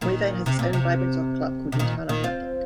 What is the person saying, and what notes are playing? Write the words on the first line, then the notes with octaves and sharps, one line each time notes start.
Moyvane has its own vibrant soccer club called Newtown Athletic.
A#2 D#3
C3
A#2
C3
C3
A#2 D#3
A#2 D#3
C4 F4